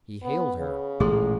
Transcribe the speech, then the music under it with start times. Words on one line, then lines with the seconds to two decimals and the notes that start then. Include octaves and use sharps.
He hailed her.
0.23 B3
0.58 C#3
1.00 A1 A#2 G#3 G#4 A4 C6